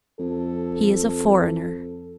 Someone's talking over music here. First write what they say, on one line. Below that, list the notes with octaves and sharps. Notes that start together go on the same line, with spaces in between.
"He is a foreigner."
F2 A4